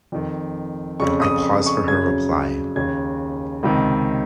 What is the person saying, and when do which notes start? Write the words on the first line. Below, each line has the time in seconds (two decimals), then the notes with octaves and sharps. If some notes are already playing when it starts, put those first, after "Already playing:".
I pause for her reply.
0.12 F2 D#3
1.00 F2 C#3 C#6
1.22 D#6
1.66 C#6
1.88 F#2 C#3 G#6
2.76 D#2 C#3 G#6
3.63 C#2 C3 D#3